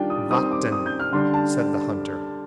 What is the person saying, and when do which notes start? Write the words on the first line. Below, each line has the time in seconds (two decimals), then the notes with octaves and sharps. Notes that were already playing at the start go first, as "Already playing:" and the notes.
"Vatten," said the hunter.
Already playing: D#3 G3 D4 F4 G5
0.10 D#6
0.30 D#3 G3 C4 D#6
0.51 D6
0.72 D#6
0.86 G6
1.00 F6
1.12 D3 G3 D4 C6
1.34 A5